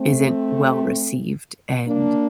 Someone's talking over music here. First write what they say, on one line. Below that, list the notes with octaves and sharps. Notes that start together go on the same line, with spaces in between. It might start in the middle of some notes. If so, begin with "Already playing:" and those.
isn't well-received, and
Already playing: A3 C4
A#3 D4